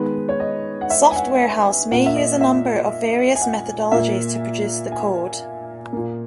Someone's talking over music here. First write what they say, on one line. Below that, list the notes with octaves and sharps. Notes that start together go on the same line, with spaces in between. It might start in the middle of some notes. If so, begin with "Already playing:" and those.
Software house may use a number of various methodologies to produce the code.
Already playing: D#3 G#3 B3 B4
C#5
D#5
F#5
E5
G#5
F#5
A#2 A#3 F#5
E5
D#5
E5
G#5
F#5
A#2 A#3 E5
G#5
A#2 A#3